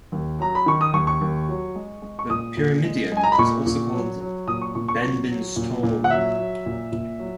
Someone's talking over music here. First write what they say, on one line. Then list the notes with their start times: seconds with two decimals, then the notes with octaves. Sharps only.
The pyramidion is also called 'Benben stone'.
0.12 D#2
0.39 F#3 A#5
0.55 B5
0.66 D#3 C#6
0.81 D#6
0.93 D#2 C#6
1.07 C#6
1.21 D#2
1.49 F#3
1.76 G#3
2.02 G#3
2.19 C#6
2.30 A#2 D#6
2.57 A#2
2.84 G#3
3.12 G#3 G#5
3.23 A#5
3.32 B5
3.38 A#2 C#6
3.66 A#2
3.93 F#3
4.21 F#3
4.48 A#2 D#6
4.61 C#6
4.75 A#2 C#6
4.88 C#6
5.02 F#3 C#6
5.30 F#3
5.56 A#2
5.83 A#2
6.04 F#5
6.11 F#3 E5
6.38 F#3
6.66 A#2
6.92 A#2
7.19 F#3